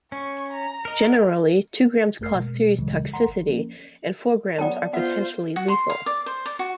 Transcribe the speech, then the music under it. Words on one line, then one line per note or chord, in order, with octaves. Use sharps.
Generally, two grams cause serious toxicity and four grams are potentially lethal.
C#4 C#6
A#5
A#4 D#5
G#1 F#2 A3 A#4 F6 C7
B2 G#3
D2 A#2 C#3 E3 F#3 G#3
F#5 A#5 C6
G1
F3 A#3 C#4
F#3 B3 D5 G5 A5
B3 F4 C5 E5
F#4
C6
F5
D5
C5
D5
F#4